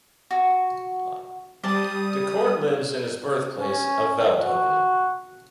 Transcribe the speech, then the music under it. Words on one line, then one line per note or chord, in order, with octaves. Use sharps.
De Kort lives in his birth place of Veldhoven.
F#4
G3 C5 D5 A5 D#6
C#4
F#4